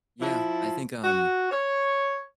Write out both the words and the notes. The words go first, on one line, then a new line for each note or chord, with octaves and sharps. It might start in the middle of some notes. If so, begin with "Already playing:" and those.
Yeah, I think, um,
F3 E4 A5
F#4
C#5